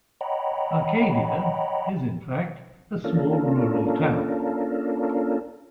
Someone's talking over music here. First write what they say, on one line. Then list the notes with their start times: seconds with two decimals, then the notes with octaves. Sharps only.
Arcadia, is in fact a small rural town.
0.21 C#5 D#5 F#5 G5 A#5 B5
3.04 A#3 C#4 D4 F4 A4 A#4